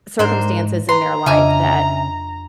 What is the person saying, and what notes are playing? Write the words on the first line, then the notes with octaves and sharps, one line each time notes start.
circumstances in their life that,
G#2 D4 A#4 C5 C6
B4 A#5 C6
F2 C#3 D4 D#5 E5 G#5 F6